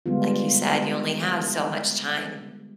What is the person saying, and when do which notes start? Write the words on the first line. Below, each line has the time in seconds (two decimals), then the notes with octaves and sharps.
like you said, you only have so much time.
0.06 D3 G3 G#3 B3 F4